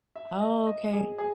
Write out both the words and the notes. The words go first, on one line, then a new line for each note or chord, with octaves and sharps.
Oh, okay.
E5
D#5
D#5
G#4
G#4